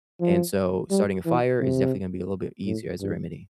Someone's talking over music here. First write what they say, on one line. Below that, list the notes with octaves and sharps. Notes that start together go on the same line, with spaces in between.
And so, starting a fire is definitely gonna be a little bit easier as a remedy.
F3
G3
E3
C3
A2
G2